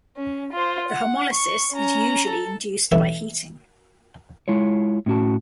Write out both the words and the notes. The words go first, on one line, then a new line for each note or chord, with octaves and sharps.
The homolysis is usually induced by heating.
C#4
F4 C5
F#5
C#6
C#4 A#5
A4
B1 C#3 E3 G#3 A3 E5
G#3 E4 F4 C#5
A2 C#4 F#4 A5